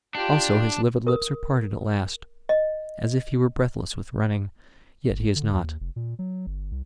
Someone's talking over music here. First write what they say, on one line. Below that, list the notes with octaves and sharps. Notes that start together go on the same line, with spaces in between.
Also his livid lips are parted at last, as if he were breathless with running. Yet he is not.
D4 F4 G4
A#4 D#6
D#5
G1
D3
D#2
F1
A#2
F#3
G1
C2